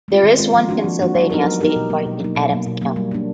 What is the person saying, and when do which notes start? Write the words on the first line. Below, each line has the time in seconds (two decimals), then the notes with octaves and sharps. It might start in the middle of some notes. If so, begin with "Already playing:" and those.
There is one Pennsylvania state park in Adams County.
0.08 G#3 C4 F4
0.23 D#3
0.39 G#3 C4 F4
0.54 F3
0.69 A#3 D4 F#4
0.84 F3
0.99 A#3 D4 F#4
1.15 F#3
1.30 B3 D#4 G4 A#4
1.45 F#3
1.60 B3 D#4 G4 A#4
1.76 B2
1.90 F#3 A#3 D#4
2.06 B2
2.20 F#3 A#3 D#4
2.35 B2
2.50 F#3 A#3
2.66 B2
2.81 F#3 A#3
2.96 G3
3.11 A#3 D4